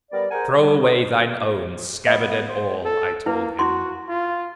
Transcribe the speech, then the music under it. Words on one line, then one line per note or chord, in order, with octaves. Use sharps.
"Throw away thine own, scabbard and all," I told him.
G3 B3 A#4 D5
G#4 A#4 C5 F#5 G#5
G3
C3 E3 B3
B3 D#5
C5
A4
A#3 E4 B4
E4 F#4 C6
F4